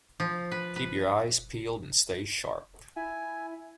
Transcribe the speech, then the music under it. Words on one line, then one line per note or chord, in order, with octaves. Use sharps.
Keep your eyes peeled and stay sharp.
F3
B4
B4
E4 G#5